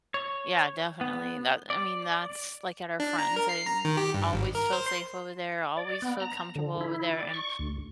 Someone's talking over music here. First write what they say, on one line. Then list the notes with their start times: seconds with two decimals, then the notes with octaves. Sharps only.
Yeah, definitely, and that I mean, that's, like, at our friends I didn't always feel safe over there, always feel comfortable over there, and
0.14 C#5
1.01 B3
1.70 D5
3.00 D4
3.19 A#5
3.36 A#4
3.49 C7
3.66 A#5
3.85 D#3
3.97 G4
4.14 G2
4.33 G#1
4.55 A#4
4.73 C5
4.86 C6
5.77 D5
6.02 B3
6.20 A#5
6.55 D3
6.81 E4
7.18 D5
7.34 C#6
7.59 D2